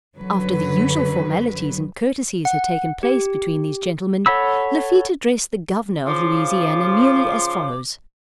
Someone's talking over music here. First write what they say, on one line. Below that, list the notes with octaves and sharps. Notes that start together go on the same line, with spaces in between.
After the usual formalities and courtesies had taken place between these gentlemen, Lafitte addressed the Governor of Louisiana nearly as follows.
F#2 D3 F#3 B4
F#5
G4
A4 C#5 F#5 B5 E6
C#3 F3 F4 D6